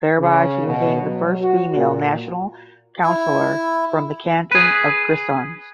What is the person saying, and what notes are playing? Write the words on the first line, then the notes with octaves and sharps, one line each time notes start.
Thereby she became the first female National Councillor from the canton of Grisons.
C#3
B2
F#3
F#4
A#2
E4
G#4 B4